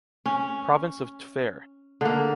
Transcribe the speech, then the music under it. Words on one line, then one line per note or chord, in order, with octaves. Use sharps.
Province of Tver’.
C#4
D3 A#3